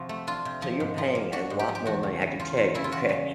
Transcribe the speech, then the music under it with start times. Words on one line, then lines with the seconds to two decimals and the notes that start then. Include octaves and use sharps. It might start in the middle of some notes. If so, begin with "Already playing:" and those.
S so you're paying a lot more money, I can tell you, okay,
Already playing: C3 F3 F#4
0.09 A3
0.27 D4 F4
0.45 C3
0.62 F3
0.80 G#2
0.98 F3
1.15 A#3
1.32 D4 F#4
1.50 G#2
1.59 G4
1.68 F3
1.75 G4
1.85 E2 F#4
2.03 C#3
2.22 E3
2.39 E2 F4
2.57 E2
2.74 C#3 E4
2.84 F4
2.92 E2 F#4
3.09 C#3